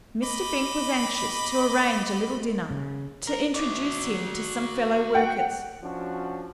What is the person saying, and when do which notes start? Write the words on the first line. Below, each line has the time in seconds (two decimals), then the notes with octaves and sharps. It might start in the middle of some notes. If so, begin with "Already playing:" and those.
Mr. Fink was anxious to arrange a little dinner, to introduce him to some fellow workers.
0.23 D#5 B5 D6
2.71 C#3
3.27 A#4
3.54 F#4 D5
5.15 F#5 G5
5.82 F3 C#4 D4 F#4